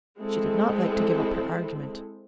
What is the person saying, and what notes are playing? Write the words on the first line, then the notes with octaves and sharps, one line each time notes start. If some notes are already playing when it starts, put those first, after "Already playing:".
She did not like to give up her argument.
G#3 C4 E4 A4